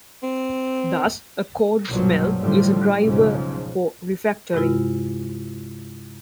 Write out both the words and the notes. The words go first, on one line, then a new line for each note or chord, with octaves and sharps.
Thus, a code smell is a driver for refactoring.
C4
B1 G2 A#2 F3 F#3
A2 D3 F3 G3
B1 G#2 C#3 F3
G2 C3 G#3 E4 F4